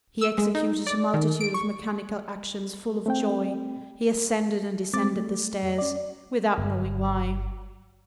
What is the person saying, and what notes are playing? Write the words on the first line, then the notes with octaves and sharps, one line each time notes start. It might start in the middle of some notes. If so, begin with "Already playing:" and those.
He executed a multitude of mechanical actions full of joy; he ascended and descended the stairs, without knowing why.
E6
G#3
D#4
D5
D#3
D7
C#6
A3 C4 G5
G#3 C4 D6 A6
A3
F2
C#4 D5
G1